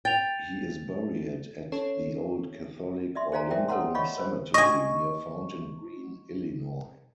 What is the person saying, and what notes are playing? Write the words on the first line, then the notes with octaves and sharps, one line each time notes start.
He is buried at the Old Catholic or Lincoln Cemetery near Fountain Green, Illinois.
G5 A6 F7
C#4 A4 C#5
D5 E5 C6
G#4 C5 D5 F5 G#5 A#5
G#4 A#4 C5 D5 E5 G5
A4 B4 C#5 F#5 A#5 C6
G4 C#5 D#5 F5 B5 C#6
B4 C5
D#5 G#5 C#6